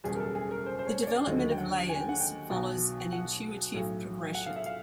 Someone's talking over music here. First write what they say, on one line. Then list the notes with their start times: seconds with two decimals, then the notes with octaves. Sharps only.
The development of layers follows an intuitive progression.
0.04 F#1 E2 B2 G3 G#4
0.15 A#4
0.20 A4
0.35 G#4
0.51 A#4
0.66 C5
0.79 C5
0.87 C#5
1.02 C#5
1.07 D5
1.27 D#2 D3 F#3 A3 D#5
1.51 G5
1.58 F#5
1.89 G#5
2.00 G5
2.09 F#5
2.20 G5
2.50 B1 B2 F#3
3.12 F#5
3.73 B1 A2 F#3 A3
4.34 F#5
4.46 F5
4.56 E5
4.66 F5